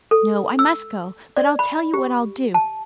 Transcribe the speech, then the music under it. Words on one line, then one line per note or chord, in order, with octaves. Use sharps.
No, I must go, but I'll tell you what I'll do.
A4
E6
D5
B5
G4
A5